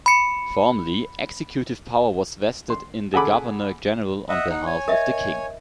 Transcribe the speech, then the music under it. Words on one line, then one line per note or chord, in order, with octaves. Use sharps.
Formally, executive power was vested in the Governor-General on behalf of the King.
B5 C#7
C6
G#4 A4 F#5 G#5 B5 D6
D#5 E5 F#5
D#4 F#5
C#5 G#5
A#4 D#5 E5